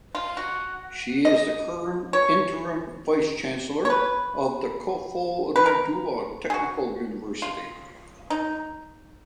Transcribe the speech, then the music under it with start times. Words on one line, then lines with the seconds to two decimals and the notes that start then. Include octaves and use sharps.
She is the current interim Vice Chancellor of the Koforidua Technical University.
0.15 F4
0.37 F#4
1.25 D#5
2.13 C#5
3.85 C#5
3.90 B4
5.56 B4
5.66 A#4
6.50 G#4
6.54 F#4
7.42 F4
8.30 D#4